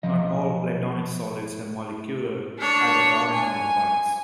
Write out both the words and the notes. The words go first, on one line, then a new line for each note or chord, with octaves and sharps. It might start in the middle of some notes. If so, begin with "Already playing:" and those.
Not all Platonic solids have molecular hydrocarbon counterparts.
B1 F3 D#5
D4 C#5
G#5